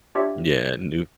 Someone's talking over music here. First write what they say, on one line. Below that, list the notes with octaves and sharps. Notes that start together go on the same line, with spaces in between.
Yeah, new
D4 F4 G4 C#5 D5 E5